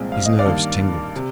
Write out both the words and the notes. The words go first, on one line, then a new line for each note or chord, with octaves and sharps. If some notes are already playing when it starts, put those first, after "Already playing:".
His nerves tingled.
Already playing: C2 A#2 F3 G#3 C4
F5
D#5
D5 F5
G2 D#3 A#3
C3